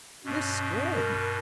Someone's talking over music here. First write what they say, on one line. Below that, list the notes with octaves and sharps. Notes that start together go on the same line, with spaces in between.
This scared me.
G2 B2 C#4
A#4